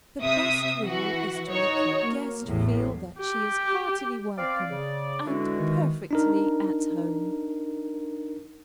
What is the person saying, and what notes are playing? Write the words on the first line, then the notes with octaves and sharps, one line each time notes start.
The best rule is to make your guest feel that she is heartily welcome, and perfectly at home.
C3 E5 D#6
E3 F#4
D#4 F#4 C#5
A#3
A1 E2 A2
G4
C4 D5 F5
C#3
D3 E3 G#3 F#4
D#3
D4 D#4 A#4